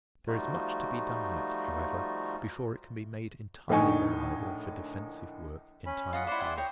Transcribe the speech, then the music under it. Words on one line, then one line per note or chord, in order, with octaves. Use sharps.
There is much to be done yet, however, before it can be made entirely reliable for defensive work in time of war.
F3 G3 A3 D#4 F4 F#4
A#1 A2 D3 D#4 G#5 C#6
C#4 B5
F4 D#5 F#5
E4 C5 D5 F#5 C6
E5 G5 G#5
C#5 D#5 G5